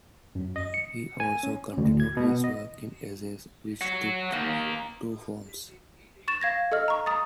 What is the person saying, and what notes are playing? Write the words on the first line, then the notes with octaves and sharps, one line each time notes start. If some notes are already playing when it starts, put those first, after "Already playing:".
He also continued his work in essays, which took two forms.
F#2
D#5
C#7
G#5
C#4
D2
G#6
B2
B3
D#5
C#5 F#5
A#3 D#4
C#6 A6 E7
F5 G#6 A#6
A4 D#5 F6
A#5 C#6
A#5 D#6 A6